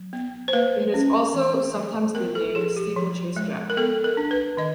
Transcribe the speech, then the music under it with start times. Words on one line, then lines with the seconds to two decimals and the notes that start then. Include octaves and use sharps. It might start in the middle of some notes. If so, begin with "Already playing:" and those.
It has also sometimes been named Steeplechase Jack.
Already playing: F#3
0.13 B3
0.48 C5
0.53 A#3 B4
0.94 C#4
1.34 E3
1.75 G3
2.15 B3 A#4
2.35 A4
2.55 F3 G#4
2.76 G4
2.96 F3
3.36 G#3
3.70 A#4
3.77 B3 A4
4.04 A#4
4.17 D4
4.31 B4
4.57 D#3 D#5